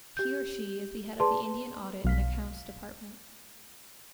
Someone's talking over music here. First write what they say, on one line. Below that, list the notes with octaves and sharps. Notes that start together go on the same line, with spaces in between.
He or she is the head of Indian Audit and Accounts Department.
G4 G6
G#4 B4 D5 A5 C6
B1 F5 B6